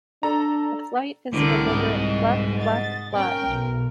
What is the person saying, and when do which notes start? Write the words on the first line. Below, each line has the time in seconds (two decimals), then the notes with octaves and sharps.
The flight is a deliberate "flap-flap-glide".
0.23 D4 A4 A#5
1.33 C2 A2 D3 A#4 D5
1.71 G#2 D#5 F#5
2.58 A6
3.13 C#4 A#4 G5
3.47 B1